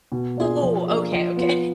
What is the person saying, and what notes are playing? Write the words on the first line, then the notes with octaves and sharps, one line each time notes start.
Oh, okay, okay.
B2
A#3 D4 F4 G#4
F3
A#3 D4 G#4
F3
B3 F4